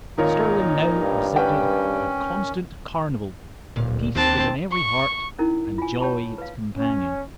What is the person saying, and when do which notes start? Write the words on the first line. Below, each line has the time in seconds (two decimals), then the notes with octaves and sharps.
Stirling now exhibited a constant carnival; peace was in every heart, and joy its companion.
0.18 G#1 A#2 D#3 D#4 F4 A#4 C#5
0.95 G2
1.36 C#4 B4 G5
3.76 D1 A#2 F5
4.15 D#2 D#3 C4 D4 A5
4.72 C#6
5.39 C#4 D#4 E4 A#4
5.78 F4 G#5
6.00 C#5 G5 A5 B5 C#6
6.38 B4 F5
6.77 C#4